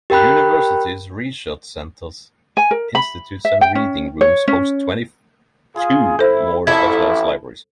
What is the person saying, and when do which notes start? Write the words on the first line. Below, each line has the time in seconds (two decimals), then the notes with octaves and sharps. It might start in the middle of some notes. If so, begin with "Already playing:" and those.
The university's research centres, institutes and reading rooms host twenty-two more specialized libraries.
0.10 G4 A#4 G5 B5 F#6
2.57 G#5
2.71 A#4
2.95 B5
3.45 E5
3.61 G5
3.75 C#4
4.21 C#5
4.48 C#4
5.76 F4 G#4
6.19 E4 A4 C5
6.67 A1 F2 E4 A4 G#6